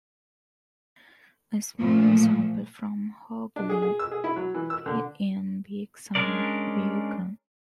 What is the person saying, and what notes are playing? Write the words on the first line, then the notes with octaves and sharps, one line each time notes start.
A small sample from "Hog Leg" appeared in Beck's song "Beercan".
A#2 F3 A3
D4
G#4
G#4
E6
G#4
E4
F#3
E3
E6
D3
G#3 C#4 D4 A#4 D5